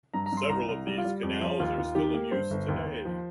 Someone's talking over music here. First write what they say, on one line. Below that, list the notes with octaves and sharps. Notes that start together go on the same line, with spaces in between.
Several of these canals are still in use today.
G2 A#5
A#5
G2 C6
C2 A#5
C2
G3
F4
G3
F2
F3
D#2 F4
D#2
D#3 G4
A#3
G2 C5
G1
D#2
D#2
F3